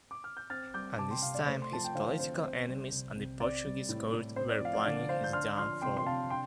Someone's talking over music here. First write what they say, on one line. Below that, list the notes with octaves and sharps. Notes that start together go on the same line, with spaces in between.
At this time, his political enemies at the Portuguese court were planning his downfall.
D6
F6
G6
C4 F6 A6
G3 D6 G6
C3 A5 D6
G5 C6
C3 F5
D5
A3 C5
C6
F3 A5
G5
D3 C5 F5
C4 C5
C4 C5
G3
C3
C3
C4 D5
G3
A2
A2
C4 C5
D5
F3 F5
D5
D3 D5
D3 C5 F5
G6
D4 C6 F6
F3 C6 F6
C3 G5 C6
C6
C3 F5 A5
D4 G5 C6